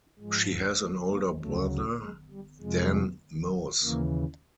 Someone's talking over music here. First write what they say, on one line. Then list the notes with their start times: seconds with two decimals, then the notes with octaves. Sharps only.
She has an older brother, Dan Moos.
0.19 G#2 F3 G#3
0.79 A3
1.10 A#3
1.39 D2 C#3 F#3 A3
2.00 G#3
2.31 G3
2.61 F2 C3 F3 G#3
3.82 D#2 C#3 E3 A#3